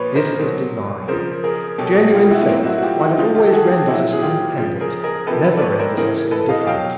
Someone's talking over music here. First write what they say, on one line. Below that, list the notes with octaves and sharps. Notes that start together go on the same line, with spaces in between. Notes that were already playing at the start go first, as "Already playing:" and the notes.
This is divine. Genuine faith, while it always renders us independent, never renders us indifferent.
Already playing: A#2 F3 B4 C#5
A#4 C5
B2 F#3
C#3 F3 A#4 C5
G#4 A#4
B2 F#3 G4 A4
F#4 G#4
F4 G4
E4 F#4
B3
A2 F#3 A#3 C4
E4 F#4
F#4
F4 G4
E4 F#4
C#3 F3 D#4 F4
F4 G4
A4
F#4 G#4
G4 A4
A#2 F#3 E4 F#4
G#4
F4 G4
C#3 F3
G#4 A#4
G#4 A#4
C3 F3 A4 B4
A4 B4
D5
B4 C#5
A#4 C5
C#3 E3 G#4 A#4
A4 B4
D#5 F5
B2 F#3 F5 G5